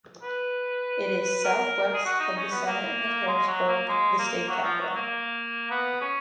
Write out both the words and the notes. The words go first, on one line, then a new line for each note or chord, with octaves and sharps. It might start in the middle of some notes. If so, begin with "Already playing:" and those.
It is southwest of the center of Harrisburg, the state capital.
B4
A#4
A#4
G#4
F#4
D#4
C#4
B3
A#3
G#3
F#3
A#3
G#3
A#3
F#3
F3
F#3
A#3
B3
C#4